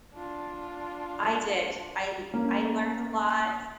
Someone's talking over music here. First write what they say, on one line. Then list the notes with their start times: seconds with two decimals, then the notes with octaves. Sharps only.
I did, I l I learned a lot,
0.14 D4 F4
2.34 A#3 C#4